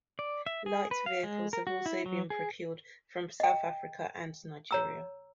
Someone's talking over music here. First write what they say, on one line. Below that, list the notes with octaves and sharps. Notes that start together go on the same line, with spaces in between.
Light vehicles have also been procured from South Africa and Nigeria.
D5
E5
G#4
B4
F5
G#3
A#4
F#4
E4
F#3
G#4
D#5 G5
C#5 A#5 E6